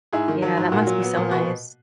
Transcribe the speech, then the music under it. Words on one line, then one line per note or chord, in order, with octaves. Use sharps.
Yeah, that must be so nice.
G#2 E4 G#4
D#3
F#3
G#2
A#2 F#4
F#3
B3
A#2
B2 F#4